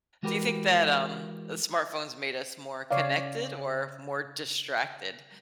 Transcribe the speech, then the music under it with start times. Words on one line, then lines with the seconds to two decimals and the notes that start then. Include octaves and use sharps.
Do you think that, um, uh, smartphones made us more connected or more distracted?
0.23 E3 G#3 F#4 G4 A#4 B4
2.91 C#3 C#5 D5 F5